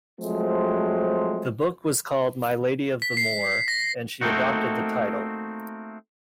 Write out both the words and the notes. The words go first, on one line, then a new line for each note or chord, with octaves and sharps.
The book was called "My Lady of the Moor", and she adopted the title.
F3 F#3 G#3 A3 C4
B6
C7
A#6
A3 A#3 C4 D#4 F#4